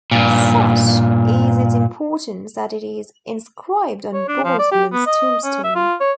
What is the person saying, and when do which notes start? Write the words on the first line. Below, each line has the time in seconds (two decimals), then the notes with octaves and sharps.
Such is its importance that it is inscribed on Boltzmann's tombstone.
0.11 G2 A#2
4.13 C#5
4.28 D4
4.44 F3
4.59 D5
4.72 G4
4.92 B3
5.06 D#5
5.44 C#4
5.64 E5
5.75 F4
6.00 C#5